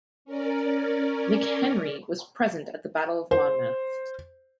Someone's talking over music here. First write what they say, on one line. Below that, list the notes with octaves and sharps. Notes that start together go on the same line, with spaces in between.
McHenry was present at the Battle of Monmouth.
C#4 A#4 D5
C5